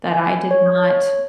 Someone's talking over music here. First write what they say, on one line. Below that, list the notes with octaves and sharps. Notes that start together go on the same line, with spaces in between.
That I did not,
G#5
C#5
C#5